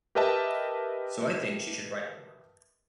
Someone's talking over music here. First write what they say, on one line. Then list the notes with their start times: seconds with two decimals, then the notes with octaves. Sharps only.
So I think she should write more.
0.15 G4 A#4 B4 D#5 E5 A5